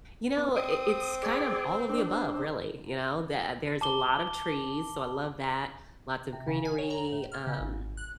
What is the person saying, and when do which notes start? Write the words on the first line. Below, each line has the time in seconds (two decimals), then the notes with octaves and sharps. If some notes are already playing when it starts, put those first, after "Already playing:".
You know, i it's kind of all of the above, really, you know? That there's a lot of trees, so I love that, lots of greenery, um
0.37 B3 D4
0.56 C4 D#6
1.23 G#4 D5
1.89 D4
3.81 A5 D6 G7
6.33 C3
6.48 C#3
6.65 G#5
6.78 C#5
6.90 A#5
7.12 A2
7.32 F6
7.47 C#3
7.60 G#1
7.97 F#6